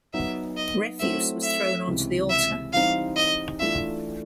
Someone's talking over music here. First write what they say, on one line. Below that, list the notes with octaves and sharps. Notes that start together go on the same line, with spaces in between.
Refuse was thrown onto the altar.
F#3 B3 D#4 E5
D#5
F#3 A3 C4 E4 E5
E5
C#2 C3 E3
E5
E3 G3 C4 D#4 F5
D#5
E3 A3 D4 F4 E5